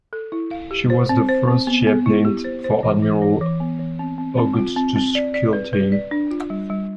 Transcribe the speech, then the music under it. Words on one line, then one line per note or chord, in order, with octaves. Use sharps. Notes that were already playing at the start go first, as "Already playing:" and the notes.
She was the first ship named for Admiral Augustus Kilty.
A4
E4
F5
G4
C5
C4
C5
C4
B3
B3
E4
G4
C5
C5
E3
E3
E3
E3
B3
E3
C4
C4
C4
F4
C4
C4
D5
D5
B4
B4
D5
D4
F4
G3
G3